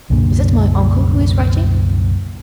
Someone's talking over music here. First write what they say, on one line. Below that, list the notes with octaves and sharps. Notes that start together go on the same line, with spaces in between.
"Is it my uncle who is writing?"
C2 F#2 A#2 D3